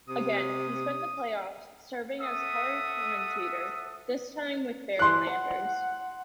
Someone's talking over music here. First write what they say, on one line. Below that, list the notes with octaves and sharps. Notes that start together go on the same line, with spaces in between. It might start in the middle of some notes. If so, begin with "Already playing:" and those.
Again, he spent the playoffs serving as color commentator, this time with Barry Landers.
C3 D#6
A4 E5 F#5 D#6
E3 C6 F#6
F#5